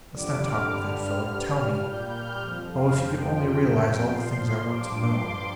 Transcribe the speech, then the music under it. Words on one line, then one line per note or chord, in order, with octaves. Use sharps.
Let's not talk of that. Philip, tell me--oh, if you could only realize all the things I want to know.
F2 D3 G3 D6
F6
G2 D3 G3
G2 G3
A#2 G3 G6
F6
F2 F3
F5
F2 F3 G5
F2 C3 F3
A#2 F3 C6
G2 F3 D6
C6